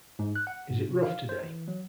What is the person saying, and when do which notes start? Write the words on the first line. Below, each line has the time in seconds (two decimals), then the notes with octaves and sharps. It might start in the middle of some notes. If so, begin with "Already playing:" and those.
Is it rough today?
0.19 G#2
0.35 F#6
0.47 F#5
0.70 G#2
0.89 C3
1.03 F5
1.29 C5
1.44 E3
1.68 F#3